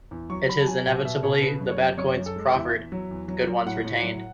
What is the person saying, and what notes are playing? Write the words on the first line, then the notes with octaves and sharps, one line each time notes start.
It is inevitably the bad coins proffered, good ones retained.
E2
F#3 C#6
F#3 B5
A5
F#3 G#5
B2 F#5
B2 E5
B2 C#5
C#3 B4
F#2
C#5
F#2
F#2 C#5
F#2
A4
G#3
E2 E5
E2
F#3
E2
F#3
F#3
A2 F#5
A2
F#3